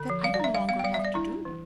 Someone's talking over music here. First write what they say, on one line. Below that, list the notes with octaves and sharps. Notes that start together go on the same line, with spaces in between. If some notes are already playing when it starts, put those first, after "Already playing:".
that I no longer have to do.
Already playing: D3
F3
G3 F5
D5
D4 E5
G3 F5
B3 F5
G5
G3 F5
E5
G3
D5
D4 E4
D4
E3